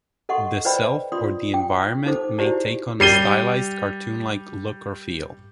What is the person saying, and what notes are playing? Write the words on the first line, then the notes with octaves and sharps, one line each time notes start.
The self or the environment may take on a stylized cartoon-like look or feel.
A4 D#5 F#5 C6 C#6
B4 C5 D5 D#5 G5 B5
F4 D5 C6 D#6
G5 D6
D#4 A4 C5 D6
D#4 E4 F#4 G4 C5 D5
G3 C7 D#7 G7